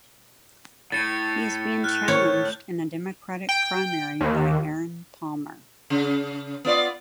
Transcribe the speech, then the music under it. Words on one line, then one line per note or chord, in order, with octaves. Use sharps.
He is being challenged in the Democratic primary by Erin Palmer.
A2 A6 C#7
F6 F#6
C#5 G6
G5
D#2
C#3
B3 F4 D5